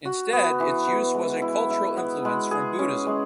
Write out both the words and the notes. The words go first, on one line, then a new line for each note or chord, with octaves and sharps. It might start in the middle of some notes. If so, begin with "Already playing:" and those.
Instead, its use was a cultural influence from Buddhism.
F#4
B3
E3
B3
G#3
E4
E4
B3
G#3
G#4
C#4
G#3